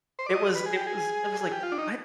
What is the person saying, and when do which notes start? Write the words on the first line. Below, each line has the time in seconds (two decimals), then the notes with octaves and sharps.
It was it was it was like, "What?
0.19 C5
0.26 D5
0.34 D#5
0.55 B4
0.66 G#4
0.76 G4
0.87 G#4
1.41 G#4
1.52 G4
1.63 F4
1.72 D4
1.78 D#4